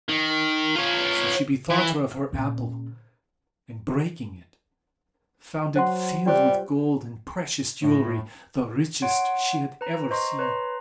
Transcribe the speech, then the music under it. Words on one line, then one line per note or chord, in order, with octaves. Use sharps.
So she bethought her of her apple, and breaking it, found it filled with gold and precious jewelry, the richest she had ever seen.
D#3
F4 C#5
E3
A#2 C#3
F#3 C5 F#5 C6
G3 F4 G4 C5
A2
C#5 F#5 C6 D7
B4 A#5
C5 D#5 A#5 C6 C#6
B4 C#5 A#5 C6